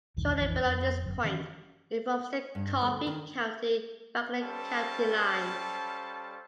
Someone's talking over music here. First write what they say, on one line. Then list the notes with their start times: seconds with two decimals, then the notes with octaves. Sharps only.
Shortly below this point, it forms the Coffee County - Franklin County line.
0.17 B1 E2 G2 D#3
0.37 A#1 F2 D#3 E3
0.65 F2
1.02 G1 F#2
1.24 D#3 E3 C#4
2.55 G2
2.81 D2
3.07 D#3
4.43 G3 C#4 A4 C5 F5 A5